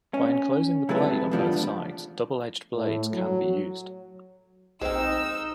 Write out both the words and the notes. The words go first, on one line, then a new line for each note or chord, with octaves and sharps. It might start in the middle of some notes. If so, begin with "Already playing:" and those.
By enclosing the blade on both sides, double edged blades can be used.
C#4
C3 F#3 G#3 E4 A4 B4
E2 A2 F3 G3 C4 D4
A2
F#3
A#1 G#3 C4 D#4 C5 E6 F6